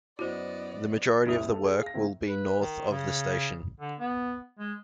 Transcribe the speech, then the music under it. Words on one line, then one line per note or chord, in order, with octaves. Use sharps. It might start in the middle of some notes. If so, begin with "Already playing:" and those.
The majority of the work will be north of the station.
F#2 B3 E4 F#4 C5 D5 D#5
F#1 C2 E4 D#6 F7
A4
G#4
F5 A#6
A2 D#3 C4 E4
B4
D#3
C#3
D3
B3
G#3